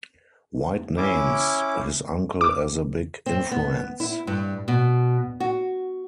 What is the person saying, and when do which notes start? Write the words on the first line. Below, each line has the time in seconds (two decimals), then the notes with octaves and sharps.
White names his uncle as a big influence.
0.97 C#4 E4 D6
2.41 D6
3.26 C4
3.51 B3
4.00 E4
4.27 G2
4.68 B2
5.40 F#4